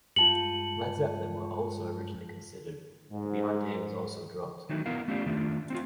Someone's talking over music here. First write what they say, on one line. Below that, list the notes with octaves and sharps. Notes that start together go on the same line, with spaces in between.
Led Zeppelin were also originally considered but the idea was also dropped.
G2 G#3 F4 A5 C#7 F#7
G#2
D#3 E3 F#3 A3 D#4
B3 E4 A#4 F5
A3 C#4 E4 F4 G4 D5
D#3 A3 D4 F4
C4 D#4 F4